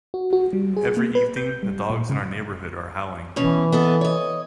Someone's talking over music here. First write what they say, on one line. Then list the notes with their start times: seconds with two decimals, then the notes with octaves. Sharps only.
Every evening, the dogs in our neighbourhood are howling.
0.14 F#4
0.33 F#4
0.53 G3
0.77 G#4
0.97 A#3
1.15 B4
1.36 G6
1.63 G3
1.90 A#2
2.10 C#3
3.36 B2 E3 C#4
3.72 B3 A4 D#5
4.01 C#5 D#5